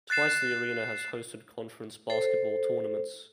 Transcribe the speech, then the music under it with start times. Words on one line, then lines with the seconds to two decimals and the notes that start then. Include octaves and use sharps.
Twice the arena has hosted conference basketball tournaments.
0.10 F#6 A6 C7 E7
2.10 A4 C5